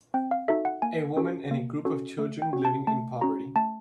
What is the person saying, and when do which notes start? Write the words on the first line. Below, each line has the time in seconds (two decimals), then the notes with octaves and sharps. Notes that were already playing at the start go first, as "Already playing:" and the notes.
A woman and a group of children living in poverty.
0.14 C4 G5
0.31 F5
0.48 D#4 F#4 A4 E5
0.65 F#5
0.82 A#3 G#5
1.17 C#4 F#4 A4
1.51 A#3
1.85 C#4 F#4 A4
2.19 A3
2.42 G5
2.53 C#4 F#4
2.65 A5
2.87 A3 A5
3.21 C#4 F#4 A#5
3.56 A3 A5